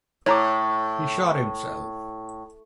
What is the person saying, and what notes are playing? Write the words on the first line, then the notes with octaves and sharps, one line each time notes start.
He shot himself.
A2 C#5 A#5 D6